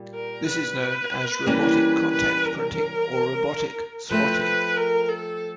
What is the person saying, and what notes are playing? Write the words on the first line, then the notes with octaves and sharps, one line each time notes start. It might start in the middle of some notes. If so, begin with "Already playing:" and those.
This is known as robotic contact printing or robotic spotting.
Already playing: A#2 G3
A#4
B4
E3 G3 A#3 C#4
B4
A#4
F3 A3 C4 B4
B4
A#4
A4